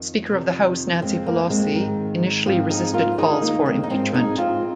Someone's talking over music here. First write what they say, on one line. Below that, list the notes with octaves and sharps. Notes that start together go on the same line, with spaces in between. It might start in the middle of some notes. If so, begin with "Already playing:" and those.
Speaker of the House Nancy Pelosi initially resisted calls for impeachment.
Already playing: F2 D#3
F2 C3 D#3
F2 F3 G#3 C4
A#3
G#3 C4
G#2 D#3
G#2 F3 C4 F4
D#4 G#4
F4 A#4
D#2 D#3 D#4 G#4
A#3 D#4
G#3 C4
D#4
G#2 F3 G#3 C4
D#4 G#4
C4 F4